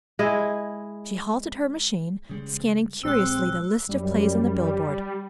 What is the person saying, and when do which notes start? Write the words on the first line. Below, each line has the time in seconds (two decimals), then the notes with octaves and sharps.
She halted her machine, scanning curiously the list of plays on the billboard.
0.19 G#3 E4 D#5
2.29 C#3 G3 G#3
3.03 A#1 G3 G#3 C4 E6 F#6
3.89 F#2 G3